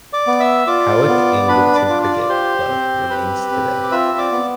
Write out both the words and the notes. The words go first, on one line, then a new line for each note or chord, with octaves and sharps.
Hawick and Wilton Cricket Club remains today.
D5 D6
B3
E5 E6
F4 D5 D6
B3
D4 B4 B5
D5 D6
F4
D5 D6
D6
G4 C5 C6
C4
G4 B4 B5
C4
D6
F4 E5 E6
D5 D6
B3